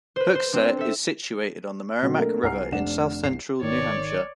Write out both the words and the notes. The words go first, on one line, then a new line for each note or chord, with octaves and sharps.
Hooksett is situated on the Merrimack River in south-central New Hampshire.
B4 C5
C5
C4 D4 G6
A4 E5
B2 F#3 C4
A3 A#3 D4 A4 A#4
C2 F#5 G#5 A#5 F6 C7
F1 D4 F#5 E7
C2 C7
G#1 D#3 C#5 D5